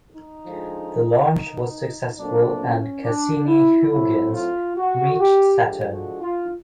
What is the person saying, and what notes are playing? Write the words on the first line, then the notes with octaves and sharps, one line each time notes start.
The launch was successful and "Cassini-Huygens" reached Saturn.
D#4
D3 F3 G#3
A#2 F#3 A3 C4 D4
C#4
D4
E4
A2 F#3 A3 C4 E4
F4
F#4
G4
D3 F3 G#3 G4
F#4
F4